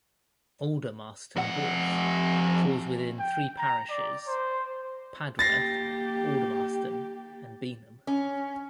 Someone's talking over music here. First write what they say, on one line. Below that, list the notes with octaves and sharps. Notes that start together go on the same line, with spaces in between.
Aldermaston Wharf falls within three parishes-Padworth, Aldermaston and Beenham.
F2 F#5
G5
A#5
D5
C5
A#3 G4 A6 A#6 C7
C#4